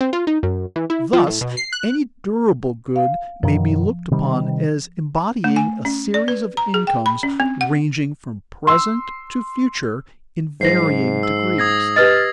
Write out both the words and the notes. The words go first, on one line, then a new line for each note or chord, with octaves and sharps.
Thus, any durable good may be looked upon as embodying a series of incomes ranging from present to future in varying degrees.
C4
F4
D#4
F#2
E3
E4
F3
A2
B2
C7
F#6
F5
F#2 B2 D#3 F3
C3 D#3 G3
A3
G#5
C#4
D5
B4
A#5
G#4
G5
B5
C#4
C4
F#5
C6 E6
G#2 F#3 C5 A#6 C7
E6
D#6 G#6 A#6
G4 B4 D#5 F6 A6